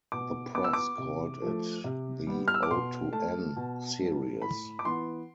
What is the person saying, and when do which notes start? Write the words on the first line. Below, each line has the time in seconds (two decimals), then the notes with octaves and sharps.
The press called it the O-N Series.
0.12 B2 D6
0.55 B3 D6
0.64 E6
0.73 D6
0.98 C3
1.42 F3 A3
1.84 C3
2.27 G3 B3
2.48 F6
2.54 E6
2.63 D6
2.70 B2 C6
3.13 A3 A5
3.56 B2
4.00 G3 B3
4.42 A2 B5
4.79 D6
4.85 E3 B3 C6